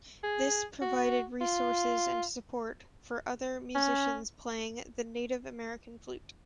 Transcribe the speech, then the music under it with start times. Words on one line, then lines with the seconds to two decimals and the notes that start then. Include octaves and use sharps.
This provided resources and support for other musicians playing the Native American flute.
0.23 G#4
0.81 F#4
1.41 F4
3.75 C#4